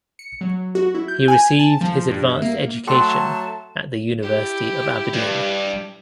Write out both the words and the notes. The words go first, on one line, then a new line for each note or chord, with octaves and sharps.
He received his advanced education at the University of Aberdeen.
C#7
F#3
F#4
E4
G6
G#5
A5
F3
G2
E5
A#3
F#3 A3 G5 A5 C6
E4 G4
G2